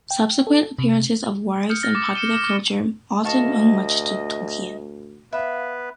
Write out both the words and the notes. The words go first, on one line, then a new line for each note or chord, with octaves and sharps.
Subsequent appearances of wargs in popular culture often owe much to Tolkien.
G5
A4
C3
D#6 F6 G6 C#7
F6 A6 A#6
D6 A6
C#7 D#7 E7 G7
E7
C#6
D2 D#5 F5 A5 C#6
B3 B4 E5 F5